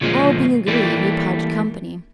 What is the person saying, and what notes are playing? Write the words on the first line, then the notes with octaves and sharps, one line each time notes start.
All being agreed, we parted company.
D2 A#2 C#3 F3 G#3
E3 G3 A3 A#3